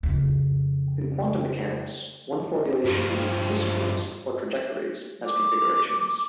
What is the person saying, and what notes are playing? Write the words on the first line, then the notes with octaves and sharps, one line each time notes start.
In quantum mechanics one formulation uses "histories", or trajectories, as configurations.
F2 C#3
G2 F3
D6